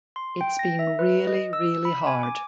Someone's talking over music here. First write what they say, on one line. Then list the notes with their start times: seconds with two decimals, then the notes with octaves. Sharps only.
It's been really, really hard.
0.16 C6
0.41 G5
0.59 A#6
0.79 E5
0.99 B4
1.27 D#5
1.53 E6
1.85 B5
2.07 G#5
2.23 D6